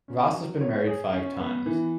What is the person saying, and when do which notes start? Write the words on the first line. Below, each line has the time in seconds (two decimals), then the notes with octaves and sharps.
Ross has been married five times.
0.08 C#4
0.35 F#3
0.61 C#5
0.87 G#4
1.13 C#4
1.40 B3
1.66 E3